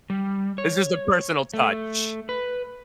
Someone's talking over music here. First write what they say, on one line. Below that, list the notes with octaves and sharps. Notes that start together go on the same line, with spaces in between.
It's just a personal touch.
G3
C#5
A3
B4